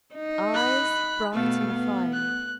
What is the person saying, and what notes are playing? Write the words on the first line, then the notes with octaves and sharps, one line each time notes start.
EYES--Bright and fiery.
D#4
B5 F#6
B2 A3 B3 F5
B3
F#6